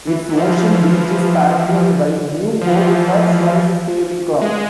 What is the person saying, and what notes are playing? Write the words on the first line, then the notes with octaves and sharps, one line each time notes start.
Its ocean beach is patrolled by Newport Surf Life Saving Club.
E3
E3
F3
F3
F3
F3
E3
G#3